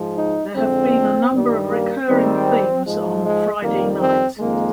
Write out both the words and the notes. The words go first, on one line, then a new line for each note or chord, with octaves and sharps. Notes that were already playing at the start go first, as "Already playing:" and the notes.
There have been a number of recurring themes on "Friday Night".
Already playing: G#2 F3 G#3
D#4
F2 D3 G#3 C4
G2 D#3 G3
A#3
G#2 D#3 G3 C4
G#2 F3 G#3
G#3
F2 D#3 G3 A#3
C4
F2 D#3 G#3 A#3